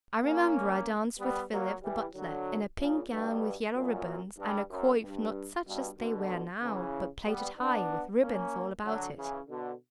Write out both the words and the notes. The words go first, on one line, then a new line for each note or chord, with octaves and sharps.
I remember I danced with Philip, the butler, in a pink gown, with yellow ribbons, and a coif, not such as they wear now, but plaited high, with ribbons all about it.
A#3 C#4
G3 B3
F#3 A#3
E3 G3
D3 F#3
A#2 C#3
G2 B2
F#2 A#2
G2
F#2
G2
G2 B2
B2 D3
C#3 E3
G3 B3
B3 D4
A#3 C#4
D3 F#3
C#3 E3
B2 D3